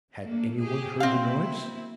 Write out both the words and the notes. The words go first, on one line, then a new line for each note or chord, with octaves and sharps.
Had any one heard the noise?
A3 A#3 D4
G4 G#4
B2 A#3 C4 E4 F5